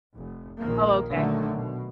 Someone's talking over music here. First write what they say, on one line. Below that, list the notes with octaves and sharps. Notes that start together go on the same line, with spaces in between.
Oh, okay.
F1
A#1 D#2 D#3 A#3
A#2 D3 D#3 F#3 A3
B2